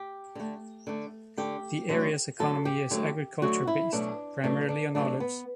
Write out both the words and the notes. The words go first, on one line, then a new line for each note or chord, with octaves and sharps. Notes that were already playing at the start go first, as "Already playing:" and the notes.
The area's economy is agriculture-based, primarily on olives.
Already playing: G4
D3 A3
D3 A3
D3 A3 G4
D3 F#3 A3
D3 F#3 A3 A4
G4
D3 F#3 A3
D3 F#3 A3 F#4
E4
B2 F#3 A3 D4
B2 F#3 A3 D4
D4
B2 F#3 A3 D4
B3